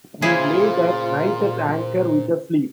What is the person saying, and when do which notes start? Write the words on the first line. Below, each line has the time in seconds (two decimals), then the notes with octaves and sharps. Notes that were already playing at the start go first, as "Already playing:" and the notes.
We lay that night at anchor with the fleet.
0.22 A#2 C#3 E4 F4 G#4 C5